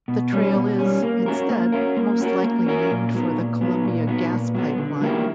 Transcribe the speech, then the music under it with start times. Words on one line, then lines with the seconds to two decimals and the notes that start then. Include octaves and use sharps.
The trail is, instead, most likely named for the Columbia Gas Pipeline.
0.08 B2
0.33 G3 C#4
0.55 B2
0.79 G3 C#4
1.02 A#3
1.26 C#4 F#4 A#4
1.50 A#3
1.72 C#4 F#4 A#4
1.97 A#3
2.20 C#4 F#4 A#4
2.43 A#3
2.66 C#4 F#4 A#4
2.91 A#2
3.14 F#3 B3
3.38 A#2
3.61 F#3 B3
3.85 A#2
4.07 F#3 B3
4.32 A#2
4.55 F#3 B3
4.78 D3
5.01 F#3 A#3 E4 G4